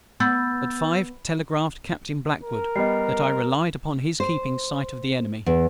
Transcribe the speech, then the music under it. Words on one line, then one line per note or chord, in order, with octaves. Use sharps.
At five telegraphed Captain BLACKWOOD, that I relied upon his keeping sight of the Enemy.
B3 E6 G6 A6
A#4
G3 B3 D#5 C7
C5
E2